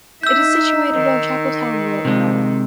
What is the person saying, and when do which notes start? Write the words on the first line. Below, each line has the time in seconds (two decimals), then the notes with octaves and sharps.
It is situated on Chapeltown Road.
0.23 D#4 E5 E6 G6
0.94 D#3
2.05 C2 C3 F3 G#3